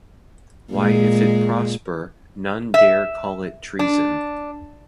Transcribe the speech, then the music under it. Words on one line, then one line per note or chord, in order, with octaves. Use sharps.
Why if it prosper, none dare call it treason.
A#2 G#3
E5
D4